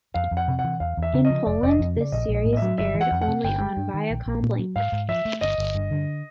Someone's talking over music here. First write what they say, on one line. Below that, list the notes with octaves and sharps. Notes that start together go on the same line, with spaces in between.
In Poland, this series aired only on Viacom Blink!
F2 F5
F2
F#5
C3
F#5
E3
E2 F5
E2
E5
C#3
D#5
F3
F1 D5
F1 D5
D#5
F2
C#3 D5
A#1 D#5
A#1
D#5
A2
D#5
F#3 E5
G1 E5
E3
F#5
F2
F#5
C3
G1 G5
G#3
G2
D#3
A#1
A#1
A#2
F#3
G#2 F5
G#2
F3 E5
A3
G1 D#5
G1
G2
D3